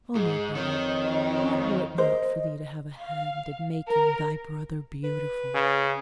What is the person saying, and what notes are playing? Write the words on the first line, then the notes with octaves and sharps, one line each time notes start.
O my brother, what were it not for thee to have a hand in making thy brother beautiful!
G#2 G#4
F2 D#3 C#5
A#4 C5 D#5
F5
A#4
B4
C#3